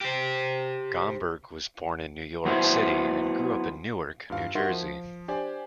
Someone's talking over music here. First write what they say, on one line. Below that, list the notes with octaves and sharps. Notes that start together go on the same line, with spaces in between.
Gomberg was born in New York City, and grew up in Newark, New Jersey.
G4 C5
F#3 B3 E4 C5
G2 F4 F5
D#4 F#4 A#4 E5 F#5 C6
F3
D4 G4 C5 D5 G#5